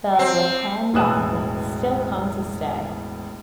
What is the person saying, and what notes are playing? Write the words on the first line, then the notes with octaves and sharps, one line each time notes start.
The Lacandon still come to stay.
C4
E1 A1 B3 D#6 F#6 E7